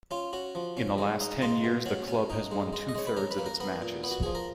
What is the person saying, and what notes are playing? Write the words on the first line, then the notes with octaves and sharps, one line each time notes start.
In the last ten years, the club has won two thirds of its matches.
C#4 F4
C#4 F#4
F3
C#4
G#3
D#4
G#3 F4
B2
C#4 F#4
C#4
D#4
G#3
G#3
D#5
G#3 C#5
B4
C#4 A#4
B4
A#3
A#4
B3 A#4
A#2
B3
F#4
F3 G#4
A#4